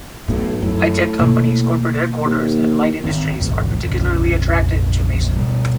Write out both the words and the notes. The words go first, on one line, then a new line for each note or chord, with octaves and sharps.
High-tech companies, corporate headquarters, and light industries are particularly attracted to Mason.
B1 A2
F#2 A2
B2 A#3
D#2
G1 E2 D#3 C4
E1 A1 D2 G#2
F1 A#1 C#3
B2 G3